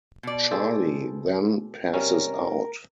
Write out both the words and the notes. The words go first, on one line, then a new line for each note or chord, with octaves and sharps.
Charlie then passes out.
B2 D5
G#4 A4 C5
C3 G3 C#4 A#4